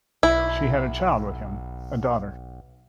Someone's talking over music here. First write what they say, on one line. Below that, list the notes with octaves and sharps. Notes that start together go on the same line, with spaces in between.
She has a child with him, a daughter.
B1 E4